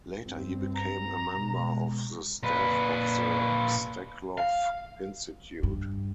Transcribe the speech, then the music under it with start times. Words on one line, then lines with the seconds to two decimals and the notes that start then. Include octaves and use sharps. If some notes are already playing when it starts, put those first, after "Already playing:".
Later he became a member of the staff of the Steklov Institute.
0.21 G2 C4
0.75 A#5
1.36 B2 G#3
2.43 A#2 B4
4.38 F5
5.63 G2